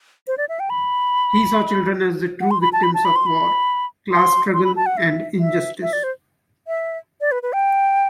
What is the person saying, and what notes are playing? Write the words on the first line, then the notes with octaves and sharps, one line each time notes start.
He saw children as the true victims of war, class struggle and injustice.
C5
D5
E5
G5
B5
F#5
C6
B5
A5
B5
A5
B5
C6
B5
C6
C6
B5
A5
F#5
E5
E5
E5
D5
C5
E5
D5
B4
B4
G5